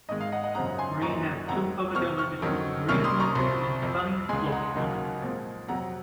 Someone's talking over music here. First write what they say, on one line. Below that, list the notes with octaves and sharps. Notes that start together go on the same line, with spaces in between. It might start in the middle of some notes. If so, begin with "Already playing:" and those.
Green has two public elementary schools, Green Elementary and Sunnyslope Elementary.
G#2 D#3 G#3 D#5
F5
D#5 F#5
D#5 F#5
F#2 C#3 F3 C4 D#4 F#5 A#5
G#5 C6
F#2 F3 A#3 D#4 A#5 C#6
F2 D#3 G#3 F#5 A#5
F2 C3 F3 C4 C#6 F6
C#6 F6
F2 D#3 F#3 C#4
C2 C3 D#3 A#3 C#4 C#6 F6
C6 D#6
A#5 C#6
C2 C3 F3 C4
F2 C3 F3
C#2 C#3 G#3 G#5 C6
F#5 A#5
D#2 C#3 F#3 A#3 D#4
A#2 F3 G#3 C4
F2 C3 F#3 F#5 A#5